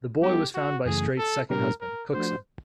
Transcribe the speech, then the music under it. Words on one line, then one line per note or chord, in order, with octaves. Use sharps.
The boy was found by Straight's second husband, Cookson.
G3 B3 D#4 F#4 G4 A4
F#4
F#2 C#3 E3 A3 G#4
A4
B2 G3 B3 D4 G4 A#4
A#4
F3 A3 D4 F#4 C5